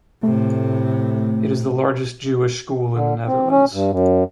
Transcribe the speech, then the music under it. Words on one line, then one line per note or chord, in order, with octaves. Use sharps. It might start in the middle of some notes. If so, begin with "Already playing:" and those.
It is the largest Jewish school in the Netherlands.
A2 C3 A3
D3
C4
C#4
G2
F#2